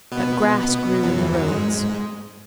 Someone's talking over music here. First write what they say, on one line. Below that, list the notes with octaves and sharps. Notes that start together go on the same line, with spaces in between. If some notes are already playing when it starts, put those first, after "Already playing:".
But grass grew in the roads.
B2 B3
F#2 F#3
E2 E3
F#2 F#3
G#2 G#3